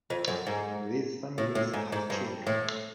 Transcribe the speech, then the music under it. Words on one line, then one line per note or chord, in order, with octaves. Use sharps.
These families have children.
F2
F#2
G#2
A2
A2
G#2
G#2
G2
A2